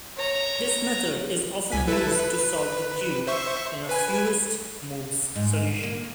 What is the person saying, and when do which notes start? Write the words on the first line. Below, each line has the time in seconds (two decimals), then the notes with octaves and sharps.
This method is often used to solve the cube in a fewest-moves solution.
0.17 C#5 A#5
1.72 C2 G#5 B6
1.87 E4 A4 B4
2.15 B4
3.27 C5 E5 C#6
3.89 B4 G#5
5.36 G#2
5.83 A#3